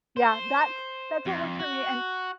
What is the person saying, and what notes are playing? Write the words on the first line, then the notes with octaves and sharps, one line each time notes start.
Yeah, that's that's what works for me, and
C5
F2
F#4